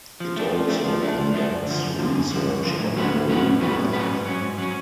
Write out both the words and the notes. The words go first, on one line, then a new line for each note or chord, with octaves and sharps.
It also conducts research on marine life.
F3
A3 D4
F3
A3 D4
F3
A3 D4
F3
A3 D4
F#2
D3 F3
F#2
D3 F3
F#2
D3 F3
F#2
D3 F3
A2
F#3 C#4 F#4 B4
A2
F#3 C#4 F#4 B4
A2
F#3 C#4 F#4 B4
A2
F#3 C#4 F#4 B4
G#2
F#3 C#4
G#2
F#3 C#4